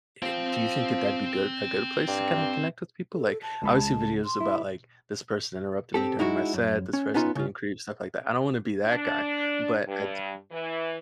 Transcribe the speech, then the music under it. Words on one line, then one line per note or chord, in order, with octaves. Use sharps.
eh do you think that that'd be good a good place to kinda connect with people? Like, I always see videos about, like, this person interrupting me during my set, this person's being creep stuff like that, I don't wanna be that guy. But I'd j
F3 C4 G5
G2
A4
A5
C#2 G#3 B5
C6
E4
C4 G4 A4
G#3 D#4 E4 F#4
F#2
C#4
B3 C#4 D#4 F4
C#3 F4
D4
G2
E3